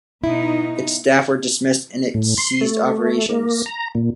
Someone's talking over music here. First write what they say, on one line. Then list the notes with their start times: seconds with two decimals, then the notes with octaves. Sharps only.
Its staff were dismissed and it ceased operations.
0.24 B2 D#4 E4
2.14 A2
2.38 C6
2.61 A3
3.29 A#3
3.66 A#5
3.95 A#2